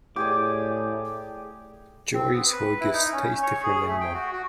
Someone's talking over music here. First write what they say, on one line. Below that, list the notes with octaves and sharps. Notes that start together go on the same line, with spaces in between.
Joey's hoagies taste different anymore.
A2 G4 G#4 D5 D6
C4
B3
B4
E4
D#4
C#4
C#5
G#4
A3
G5
F#4
F#4